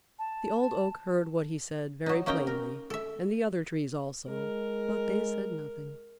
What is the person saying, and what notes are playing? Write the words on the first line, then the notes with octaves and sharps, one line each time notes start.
The Old Oak heard what he said very plainly, and the other Trees also; but they said nothing.
A5
A5
F#3 D#4
A#3 C#4 D#4 G5 A#5
A#4
A4 E5
G#3 A#4